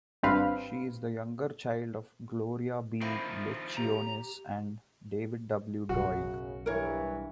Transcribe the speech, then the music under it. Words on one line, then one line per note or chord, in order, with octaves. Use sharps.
She is the younger child of Gloria B. Lecciones and David W. Doig.
G#1 G2 C4 D4 B4 F5
D#3 F3 A#3 C4 E4
G4 A#5
B1 F#2 A2 C#3 F#4
G2 E3 A#4 C#5